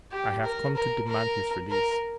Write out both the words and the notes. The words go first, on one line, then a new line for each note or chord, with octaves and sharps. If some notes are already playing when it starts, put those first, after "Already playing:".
"I have come to demand his release."
G4
A#4
A#4
A#4
A#4